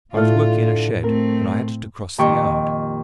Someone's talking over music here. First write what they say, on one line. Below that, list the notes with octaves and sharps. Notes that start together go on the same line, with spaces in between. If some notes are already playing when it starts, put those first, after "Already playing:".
I was working in a shed, and I had to cross the yard.
A2 D3 A3 E4 F4 F6
A3 C4 A#4
F2 A#2 D#3 G4 G5 C#6